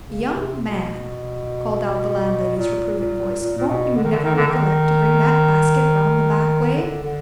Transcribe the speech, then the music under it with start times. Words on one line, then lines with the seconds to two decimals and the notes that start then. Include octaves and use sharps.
"Young man!" called out the landlady's reproving voice, "won't you never recollect to bring that basket round the back way?"
0.05 C#3
0.33 C3
0.62 B2
2.57 A#2
2.98 A#2
3.40 A#2
3.57 A#2
3.68 B2
3.96 D3
4.04 D#3
4.12 D3
4.24 D#3
4.35 D3
4.47 D#3
6.75 D3
7.03 D3